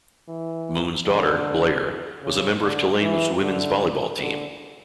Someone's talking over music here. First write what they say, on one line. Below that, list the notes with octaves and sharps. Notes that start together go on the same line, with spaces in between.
Moon's daughter, Blair, was a member of Tulane's women's volleyball team.
E3
D3
C#3
D3
E3
D3
D3